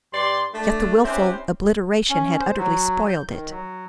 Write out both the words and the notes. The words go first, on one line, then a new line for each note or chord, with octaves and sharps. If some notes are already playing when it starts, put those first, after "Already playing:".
Yet the wilful obliteration had utterly spoiled it.
G2 G4 D5 C6
A3 D4
C4 C#4 E4 G4 B4 C5
C#4
C5
F#3
G6
D#3
F#3